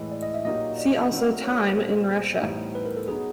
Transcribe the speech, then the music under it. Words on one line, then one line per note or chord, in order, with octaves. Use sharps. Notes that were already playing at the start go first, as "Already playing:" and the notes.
See also Time in Russia.
Already playing: A2 E3 G#3 D#5
D5
D#5
E5
A#2 F#3 A#3 D#4 G4 D#5
D5
F#3 A3 C4 D#4 F#4
C#5
B4
A#4
A#2 G3 B3 C5
A2 E3 G3 B3 D#4
B4
A#4
A4
F#3 B3 D#4 G#4